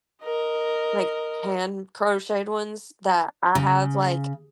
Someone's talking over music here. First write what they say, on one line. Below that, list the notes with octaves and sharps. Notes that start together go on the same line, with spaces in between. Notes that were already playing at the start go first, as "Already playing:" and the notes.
like hand-crocheted ones that I have like
A#4 D#5
C#3